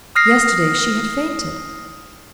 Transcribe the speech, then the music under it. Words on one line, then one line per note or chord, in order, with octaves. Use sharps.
Yesterday she had fainted.
D#6 F6 A#6 C7